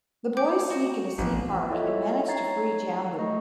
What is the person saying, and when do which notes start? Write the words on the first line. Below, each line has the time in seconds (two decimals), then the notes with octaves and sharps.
The boys sneak into Sea Park and manage to free Jambu.
0.37 G5 D6 G6
0.70 F#4
1.18 A1 F3 C#4
1.69 E4 F4 A4 C#5 D#5 E5
2.27 D#4 C#5 A#5 G#6 A6 C7
3.19 A3 D#5 C#6